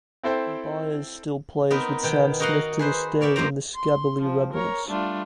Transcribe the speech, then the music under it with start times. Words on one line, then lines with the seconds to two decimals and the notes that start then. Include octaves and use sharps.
Byers still plays with Sam Smith to this day in The Skabilly Rebels.
0.23 C4 E4 A4 C5 G5
1.70 B3 C4 D#4 A#4 B4
2.03 B2 D#3 G5
2.40 D#4 F#4 A#4 D#5 F5 F#5
2.79 G#4 B4 C5
3.21 A#4 C#5 D5 E5 G5
3.36 F#2 F#3 A#3 C5 G5 A#5
3.76 C6
4.22 F3 C4
4.53 A#4 C#5 A#5
4.87 G3 A3 D4 F4